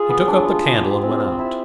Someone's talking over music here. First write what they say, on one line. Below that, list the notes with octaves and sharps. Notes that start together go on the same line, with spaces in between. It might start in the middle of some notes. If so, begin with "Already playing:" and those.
He took up the candle and went out.
Already playing: F4 G#4
B3
D4
F4
G#4
G4
C4
C4
E4